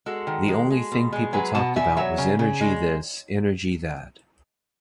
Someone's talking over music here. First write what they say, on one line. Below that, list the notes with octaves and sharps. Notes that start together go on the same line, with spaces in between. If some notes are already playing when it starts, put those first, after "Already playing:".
The only thing people talked about was energy this, energy that.
G#3 F#4 A4
D#3
G#3
G#3
B2
G#3
F#3 G#4 B4
B2 F#5 A5
B2 E5 G#5
F#3 C#5 E5
C#3
C#3
G#3